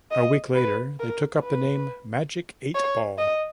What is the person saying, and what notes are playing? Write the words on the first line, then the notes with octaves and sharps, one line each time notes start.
A week later, they took up the name Magic Eight Ball.
D#5
B4
A#4
B4
C#5
D#5